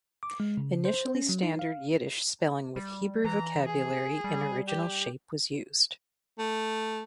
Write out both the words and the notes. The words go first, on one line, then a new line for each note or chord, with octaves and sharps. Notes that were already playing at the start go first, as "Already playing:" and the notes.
Initially standard Yiddish spelling with Hebrew vocabulary in original shape was used.
D6
G#3
C#3
C5
C#4
F#3
D#4
F5
G3
E3 A#5
G#4
G3
G4
A3